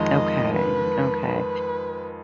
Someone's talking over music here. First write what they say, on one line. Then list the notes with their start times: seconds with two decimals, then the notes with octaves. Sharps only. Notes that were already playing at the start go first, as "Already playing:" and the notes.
Okay, okay.
Already playing: F2 D#3 G#3 D#5
0.55 B4
1.27 B4